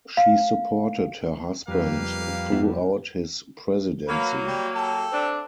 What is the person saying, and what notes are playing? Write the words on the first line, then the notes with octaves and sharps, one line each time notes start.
She supported her husband throughout his presidency.
F5
F2 G3 A#3 B4 F5
B3 E4 F#4
F#3 A#3 B4 F5
G3
G4 A4
A3 C4 D4